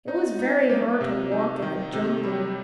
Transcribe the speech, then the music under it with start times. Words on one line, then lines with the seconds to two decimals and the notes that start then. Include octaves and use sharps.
It was very hard to walk in the jungle.
0.08 D#4
0.39 D#4
0.70 A#3
1.01 C3
1.32 D#4
1.62 D#3
1.93 C3
2.24 G3